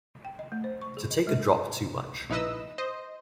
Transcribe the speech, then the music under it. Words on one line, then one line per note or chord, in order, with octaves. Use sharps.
To take a drop too much.
G5
D#5
A3
C5
C#6
G#4
D#5
G#3
A#1 D#4 E4 B4 D#5 E6
C5 D#5